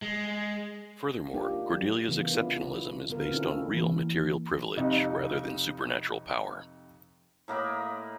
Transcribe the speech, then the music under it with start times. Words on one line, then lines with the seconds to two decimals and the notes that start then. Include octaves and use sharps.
Furthermore, Cordelia's exceptionalism is based on 'real' material privilege rather than supernatural power.
0.02 G#3
1.34 A#3 D4 D#4 F4 G4
1.74 F#3
2.08 C#3 E3 F#3 A#3 B3
2.32 B3 D4 E4 F4
3.09 D3 B3 F4 A#4
3.31 A#3 C4 C#4 D#4 E4 A4
3.74 E3 A#3
4.77 F2 C3 D#4
7.48 A2 A#3 D#5 B5